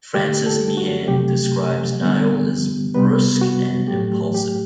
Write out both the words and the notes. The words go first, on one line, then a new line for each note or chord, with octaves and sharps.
Francis Meehan describes Nyel as brusque and impulsive.
D3 A3 G4
A4
F#4
C3 F#3 A3 G4
D3 G3 B3
C3 G3 B3 B4
F#4
A2 F#3 A3 G4
G4